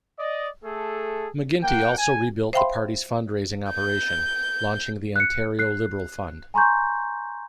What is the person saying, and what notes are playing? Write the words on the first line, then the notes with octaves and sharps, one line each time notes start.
McGuinty also rebuilt the party's fundraising operation, launching the Ontario Liberal Fund.
D5 D#5
A3 G#4 A4
A#3 F#5 G5
G#5
C5 E5 F5 G5 B5 C6
G6
F#6 C#7
F#6 C7
G#5 A#5 C6 C#6 G6